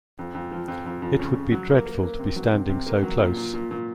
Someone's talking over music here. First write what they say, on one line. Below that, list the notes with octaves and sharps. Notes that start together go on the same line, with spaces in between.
It would be dreadful to be standing so close!
F2
F2
F3
F2
F2
F2
C#3
C#3
F#3
A#3
A#3
A#3
C3
F#3
C3
C3
A#3
F#3
A#2
A#2
A#2
A#2